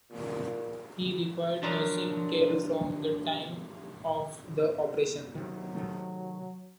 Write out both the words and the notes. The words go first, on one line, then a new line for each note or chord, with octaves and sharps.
He required nursing care from the time of the operation.
A#2
F3 F#3 D4 A#4 D5 A#5
C3 D#3 F#3
C3 D#3 A3